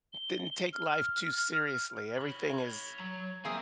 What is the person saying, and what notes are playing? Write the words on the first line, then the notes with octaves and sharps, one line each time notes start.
didn't take life too seriously. Everything is
G7
F6
C#5 B5
F#3 A#5
A#3 C4 G#4 E5 G#5